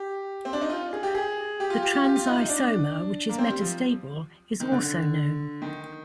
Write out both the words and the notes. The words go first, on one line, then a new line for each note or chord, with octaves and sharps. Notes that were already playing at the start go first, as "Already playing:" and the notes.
The trans isomer, which is metastable, is also known.
Already playing: G4
C4
D4
D#4
F4
G#4
G4
G#4
G4
F4
G4
F4
G4
F4
D#4
D#4
D4
A#3
C4
G3
F3
D#3
D3
D#3